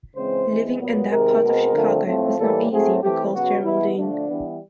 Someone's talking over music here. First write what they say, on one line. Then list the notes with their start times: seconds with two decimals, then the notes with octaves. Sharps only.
Living in that part of Chicago was not easy; recalls Geraldine.
0.15 C#3 E3 G#3 C4 C5
0.47 E3 G#3 C4
0.78 A#2 F#3 B3
1.10 C3 D#3 G#3 A#4
1.42 B2 G#3 C4
1.73 D3 F3 A3 C4
2.05 A2 F3 A3 C4
2.37 A2 E3 G3 A#3 A4
2.69 A2 F#3 A3 C4 G#4
3.00 E3 A3 C4 G4
3.32 C#3 F#3 B3 F#4
3.63 E3 G#3 B3 E4
3.95 D3 F3 A3 D4
4.27 E3 G3 B3